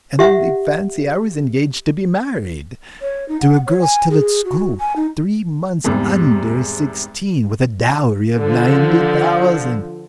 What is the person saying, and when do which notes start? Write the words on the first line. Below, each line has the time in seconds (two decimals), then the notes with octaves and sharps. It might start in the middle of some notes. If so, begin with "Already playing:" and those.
And only fancy, I was engaged to be married--to a girl still at school, three months under sixteen, with a dowry of ninety thousand.
0.19 G4 E5 F#5
3.02 C#5
3.29 D#4
3.41 F#5
3.67 C#5
3.82 G#5
4.10 G#4
4.45 F#4
4.80 G#5
4.96 D#4
5.84 E2 G#2 C3 G3
8.39 D3 F3